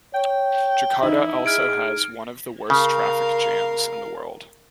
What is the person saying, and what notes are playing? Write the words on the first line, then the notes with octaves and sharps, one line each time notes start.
Jakarta also has one of the worst traffic jams in the world.
C#5 G5
E3 D#4 E4
G#4 F6 G#6 D7
C#3 A#4 F5